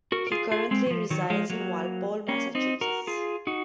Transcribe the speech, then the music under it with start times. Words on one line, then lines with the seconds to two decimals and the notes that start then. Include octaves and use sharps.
He currently resides in Walpole, Massachusetts.
0.12 F#4 A#4
0.27 A#4
0.32 F4 G#4
0.52 F4 G#4
0.71 G#3 C4
0.87 F#3
0.91 F3
1.10 D#3 F#3
1.30 F3 G#3
1.50 F#3 A#3
2.28 A#3 C#4
2.55 C4 D#4
2.81 F#4 A#4
3.07 F4 G#4
3.47 D#4 F#4